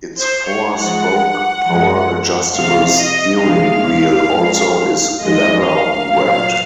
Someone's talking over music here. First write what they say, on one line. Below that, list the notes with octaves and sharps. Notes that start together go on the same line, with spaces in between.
Its four-spoke, power-adjustable steering wheel also is leather wrapped.
C5
C#5
G#2 F3 G#3 F#5
F#2 F3 G#3
C3 F3 G#3 F5
D#5
C3 F3 G#3 F5
G#2 F3 G#3
G#2 F3 G#3 D#5
F5
A#2 F#3